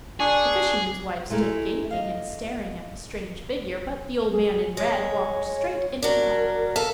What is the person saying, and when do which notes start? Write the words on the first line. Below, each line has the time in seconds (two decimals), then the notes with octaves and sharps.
The fisherman's wife stood gaping and staring at the strange figure, but the old man in red walked straight into the hut.
0.20 D4 G#4 C#6
1.30 G#3 A3 E4 A#4
1.91 D#5 F5
4.31 G#4
4.77 G#3 C#5
6.02 F#3 D4 A#4
6.76 A4 E5 F5